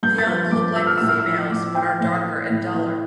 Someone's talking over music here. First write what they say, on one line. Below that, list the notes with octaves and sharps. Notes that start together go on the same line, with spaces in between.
The young look like the females, but are darker and duller.
G2 G6
A6
F3
G2 D6
F3 E6
F6
A2 E6
F6
E6
F3
A2 D6
F3 G5
A2
E3
A2
E3